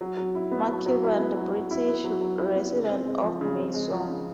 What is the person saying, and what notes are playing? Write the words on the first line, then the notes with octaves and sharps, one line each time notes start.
Mark Cubbon, the British Resident of Mysore.
F#3
F#3
E4
B3
F#3
F#3
E4
B3
F#3
F#3
E4
B3
F#3
F#3
E4
B3
C#3
C4
G#3
F3
C#3
C4
G#3
F3
C#3